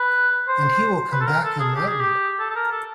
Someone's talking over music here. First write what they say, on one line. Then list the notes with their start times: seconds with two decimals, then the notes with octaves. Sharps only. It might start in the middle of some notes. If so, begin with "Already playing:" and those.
And he will come back enlightened.
Already playing: B4
0.48 C5
1.12 B4
1.20 A4
1.28 A#4
1.44 A4
1.60 G#4
1.76 G4
1.88 G#4
2.00 G4
2.40 A4
2.50 A4
2.56 A#4
2.71 A4